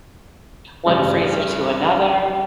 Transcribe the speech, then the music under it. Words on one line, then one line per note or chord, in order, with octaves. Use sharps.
one freezer to another?
A1 G2 C#3